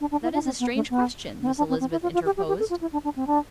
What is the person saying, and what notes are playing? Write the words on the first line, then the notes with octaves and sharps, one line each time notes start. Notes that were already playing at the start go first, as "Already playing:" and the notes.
"That is a strange question," Miss Elizabeth interposed.
D4
D4
E4
D4
C4
B3
A3
B3
B3
C4
D4
C4
C4
E4
F4
F4
G4
G4
G4
A4
F4
E4
D4
D4
C4
D4